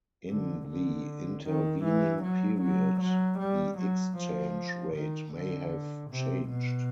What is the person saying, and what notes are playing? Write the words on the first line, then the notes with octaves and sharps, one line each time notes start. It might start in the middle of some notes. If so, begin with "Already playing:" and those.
In the intervening period the exchange rate may have changed.
D3
D3
D#3
E3
F#3
F#3
F#3
G3
F#3
F3
D#3
D3
C3
B2